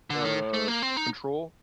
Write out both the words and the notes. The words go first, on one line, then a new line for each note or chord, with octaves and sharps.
uh, control
D3
D#3
A3
A#3
C4
D#4